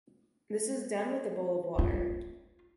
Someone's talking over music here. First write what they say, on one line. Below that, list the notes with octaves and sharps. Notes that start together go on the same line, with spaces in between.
This is done with a bowl of water.
F4